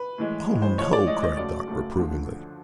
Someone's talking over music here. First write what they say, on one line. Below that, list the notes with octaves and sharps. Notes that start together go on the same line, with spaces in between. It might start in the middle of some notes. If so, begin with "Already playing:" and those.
"Oh, no," cried Dot reprovingly.
Already playing: B4
A2 E3 G#3
A2 E3 G#3
C5
A2 F3 G#3 C#5
D5
A2 F3 G#3 D#5
D#5
F#2 C#3 F#3 A3 D5
F#2 C#3 F#3 A3
D2 D3 F3